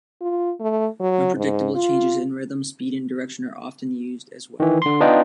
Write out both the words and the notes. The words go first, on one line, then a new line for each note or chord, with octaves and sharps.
Unpredictable changes in rhythm, speed, and direction are often used, as well.
F4
A3
F#3
G#2
F4
D#3 E3
D3 C6
B3 D4 D#4 F4 D#5 G5